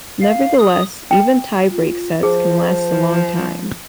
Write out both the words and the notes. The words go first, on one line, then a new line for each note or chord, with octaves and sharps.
Nevertheless, even tie-break sets can last a long time.
F5
D#6
G5
F4
F3 G#4 C5